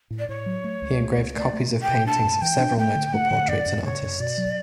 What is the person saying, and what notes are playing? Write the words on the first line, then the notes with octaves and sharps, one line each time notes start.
He engraved copies of paintings of several notable portraits and artists.
A2
D5
A2 C#5
F#3
A3
C#2
A3
C#2
A3 D5
A3
B2
G5
B2
D4 A5
F#2
E3 G5
D4
A3 G5
D3
A3 F#5
D3
F#2 D5
F#2
C#3 C#5
F#2
B2 D5
F#3